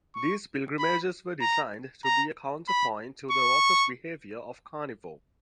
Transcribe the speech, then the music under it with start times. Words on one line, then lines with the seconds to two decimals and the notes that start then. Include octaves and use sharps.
These pilgrimages were designed to be a counterpoint to the raucous behavior of Carnival.
0.15 C#6
0.79 B5
1.41 A#5
2.05 A#5
2.68 B5
3.31 C#6